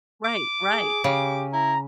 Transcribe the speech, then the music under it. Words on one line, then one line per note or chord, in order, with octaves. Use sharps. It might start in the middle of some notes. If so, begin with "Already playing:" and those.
Right, right.
D6
G#4
C#3 G4
E4 A#5